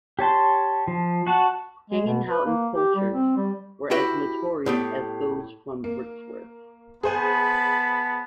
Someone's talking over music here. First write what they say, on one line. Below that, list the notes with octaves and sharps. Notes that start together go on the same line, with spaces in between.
Hanging Houghton's poachers were as notorious as those from Brixworth.
G4 C#5 A5 C6
F3
F#4 F#5 A5
G#3
B2
B4
A#3
G4
G3
C4
G3
E4 F#4 G4 B4 E5
A2 B3 G4
A#3
B3 G#4 C5 G#5 A5 B5